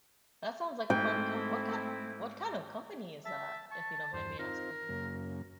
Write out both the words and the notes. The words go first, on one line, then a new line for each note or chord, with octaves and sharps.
that sounds like a fun comp what kind what kind of company is that, if you don't mind me asking?
G#2 A3 C4 E4 G5
E5 A5
A5 C#6
E2 G2 C5
C4 D#4 F4 A#4
F#2 C#3 A#3